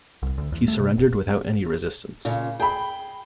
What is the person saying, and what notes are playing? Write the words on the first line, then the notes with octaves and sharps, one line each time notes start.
He surrendered without any resistance.
C2
D2
E2
A3
C3
F1
A#2 C#3
G#4 G5 B5